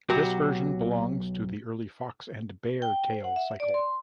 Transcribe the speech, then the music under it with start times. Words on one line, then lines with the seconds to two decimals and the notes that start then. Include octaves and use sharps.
This version belongs to the early Fox and Bear tale-cycle.
0.10 B1 F#3 F#4 G4
2.82 G5
3.10 C5
3.24 F#5
3.36 E5
3.60 D5
3.74 C6